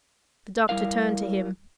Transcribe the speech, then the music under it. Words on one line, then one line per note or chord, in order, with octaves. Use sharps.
The Doctor turned to him.
G3 E4 A#4 F5